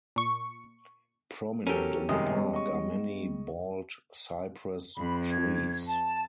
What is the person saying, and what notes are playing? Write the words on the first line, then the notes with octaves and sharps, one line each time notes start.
Prominent in the park are many bald cypress trees.
A#2 C#6
F#3 C#4 G4 A4 A#4
F#2 C3 D#3 G3 G#3 B3
D#5 C#6
F2 B5
G#6
A5